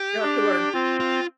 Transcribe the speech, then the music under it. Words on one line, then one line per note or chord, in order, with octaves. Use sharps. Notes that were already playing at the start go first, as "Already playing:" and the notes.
You have to learn
Already playing: G4
D4
C4 F4
F4